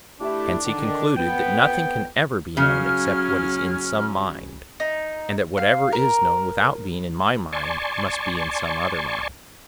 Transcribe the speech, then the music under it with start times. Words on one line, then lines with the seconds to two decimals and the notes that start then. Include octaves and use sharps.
Hence he concluded that nothing can ever be known except what is in some mind, and that whatever is known without being in my mind must be in some other mind.
0.20 A3 D4 E4 G4
0.65 D3 D#3
1.17 F2 B3 G5
2.57 C#3 F#3 C#4 F6
4.80 D#4
5.57 F5
5.92 A#4
7.53 D5 G#5 A5 C6 C#6